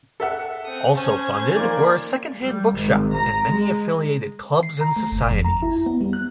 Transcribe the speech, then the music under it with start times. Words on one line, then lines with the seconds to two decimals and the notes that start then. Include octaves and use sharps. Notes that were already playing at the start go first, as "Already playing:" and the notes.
Also funded were a second hand bookshop and many affiliated clubs and societies.
0.20 A4 E5 F#5
0.65 C4 D#6
0.96 C#4 C5 A5 G#6
1.55 D#3 F3 A#3 D5
2.42 G3
2.73 G#1
3.13 A#5
3.47 G#3
4.63 C7
4.81 A#5
4.96 A3
5.12 G1
5.31 F2
5.45 A#5
5.62 E4
5.86 B3
6.01 G3
6.13 F#6